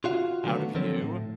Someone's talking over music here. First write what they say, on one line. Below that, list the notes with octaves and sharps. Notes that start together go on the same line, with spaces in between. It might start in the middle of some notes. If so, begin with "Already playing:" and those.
out of you
F4 F#4 F5
D3 D#3 F#3 G#3 A3 B3
D3 F3 F#3 C4 A4 C#5
A2